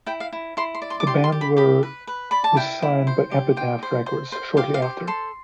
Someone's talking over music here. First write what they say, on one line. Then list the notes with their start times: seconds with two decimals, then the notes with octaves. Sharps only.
The band were was signed by Epitaph Records shortly after.
0.06 E4 G5
0.20 F5
0.32 E4
0.57 E4 C6
0.75 C6
0.82 D5
0.90 C6
1.00 D6
1.07 G4 C6
1.24 C6
1.32 G4
1.41 B5
1.57 G4 B5
1.83 B4
2.07 B4
2.31 D5 B5
2.44 A5
2.56 E4 G5
2.82 E4
3.07 C5
3.31 G4
3.57 C5 G5
3.83 C5
4.06 C5
4.32 C5
4.57 G4 F5
4.74 F5
4.82 C5
5.07 A4 C6